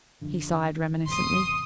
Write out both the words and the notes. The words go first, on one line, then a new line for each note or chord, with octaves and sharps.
He sighed reminiscently.
F2 D3
G#1 E2 C3 C6 D#6